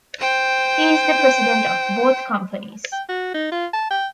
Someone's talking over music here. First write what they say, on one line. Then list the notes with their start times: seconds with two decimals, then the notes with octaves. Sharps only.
He is the President of both companies.
0.20 C5 G5
2.92 G5
3.09 F#4
3.34 D#4
3.52 F4
3.73 A5
3.91 G5